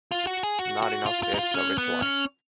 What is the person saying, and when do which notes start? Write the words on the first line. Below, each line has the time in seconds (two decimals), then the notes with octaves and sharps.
Not enough, is the reply.
0.11 F4
0.27 F#4
0.43 G#4
0.59 F#4
0.82 F#4
1.06 F4
1.23 F4
1.34 D#4
1.39 F4
1.54 C#4
1.78 B3
2.02 C#4